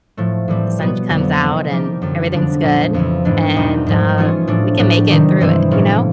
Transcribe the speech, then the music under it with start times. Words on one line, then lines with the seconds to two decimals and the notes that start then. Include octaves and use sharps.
the sun comes out and everything's good, and uh, we can make it through it, you know?
0.17 A2 F3 A3
0.48 A2 E3 G3 C4
0.79 B2 F#3 B3
1.09 F2 D3 G3
1.40 C3 E3 G#3 C4
1.71 F3 A#3 D#4 G4
2.02 F#2 D3 G3
2.32 F2 D3 F#3 B3 D4
2.63 A#2 F3 G#3 C#4
2.94 F2 C#3 E3
3.25 G#2 E3 G#3 B3 D4
3.56 E2 B2 G3 B3 D#4
3.87 G#2 F3 G#3
4.18 E3 A3 C#4 F4 G#4
4.47 A2 F3 A3 D4
4.79 A2 F#3 B3 D4 G4
5.10 C3 D#3 G3
5.40 G2 E3 G#3 C4 E4
5.71 A2 F3 A#3 C#4